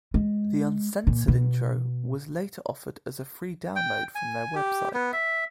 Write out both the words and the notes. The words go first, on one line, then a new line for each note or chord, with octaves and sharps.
The uncensored intro was later offered as a free download from their website.
G#3
A#2
B2
G5
G#5
G4
B3
E5